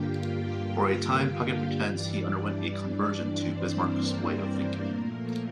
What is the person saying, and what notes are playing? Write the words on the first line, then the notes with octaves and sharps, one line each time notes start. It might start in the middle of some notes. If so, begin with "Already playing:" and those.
For a time Puckett pretends he underwent a conversion to Bismark's way of thinking.
Already playing: G2 D3 G3 A#3 F4 G4 F5 G5
G2 E3 G3 D4 D5
C4 C5
A#3 A#4
A#2 F3 A3